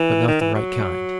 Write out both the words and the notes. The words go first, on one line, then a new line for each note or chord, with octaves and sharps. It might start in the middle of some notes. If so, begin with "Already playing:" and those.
But not the right kind.
Already playing: E3
D#3
E3
F#3